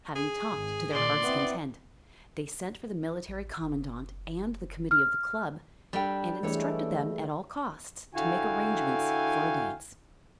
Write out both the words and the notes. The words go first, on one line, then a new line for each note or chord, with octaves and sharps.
Having talked to their hearts' content, they sent for the Military Commandant and the committee of the club, and instructed them at all costs to make arrangements for a dance.
G#4
G#1
A#2 D#3 D5 C6
B3 C4 E4
A1
F#1
F6
G3 D4 A4 G5
E3 G#3 A3 D4 A4 C#5
D3 E4 F#4 F5 G5 G#5